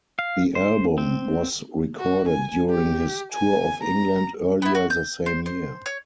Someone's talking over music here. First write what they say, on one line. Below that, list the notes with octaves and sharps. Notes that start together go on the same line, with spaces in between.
The album was recorded during his tour of England earlier the same year.
F5
C5
C4
F#4
G#5
G4
G#5
A#5
B3 E4
F#4
G6
C5
C5
C#5